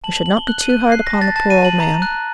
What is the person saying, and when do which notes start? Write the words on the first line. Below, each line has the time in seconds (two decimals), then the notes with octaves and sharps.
We should not be too hard upon the poor old man.
0.04 A5 F#7
0.15 F#7
0.26 A5 F#7
0.37 G7
0.47 F#6 F#7
0.62 D#7
0.69 F#6
0.92 F#6 C7
1.07 A#6
1.14 A5
1.21 A6
1.36 A5 A6
1.50 D#7
1.58 A5
1.65 F#7
1.80 A#5
2.02 F#6